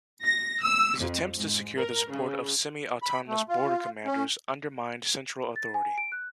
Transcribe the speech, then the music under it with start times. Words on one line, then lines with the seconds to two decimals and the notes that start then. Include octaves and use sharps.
His attempts to secure the support of semi-autonomous border commanders undermined central authority.
0.24 A#6
0.63 E6
1.00 F2
1.36 G#2
1.77 A#4
2.11 C#3
3.02 B5
3.28 A3
3.49 F4
4.06 C#4
5.56 A6
5.74 G#5
5.98 D7
6.12 F#6